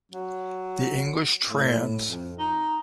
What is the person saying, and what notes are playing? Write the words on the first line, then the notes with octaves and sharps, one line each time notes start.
The English trans.
F#3
A2
F2
D#4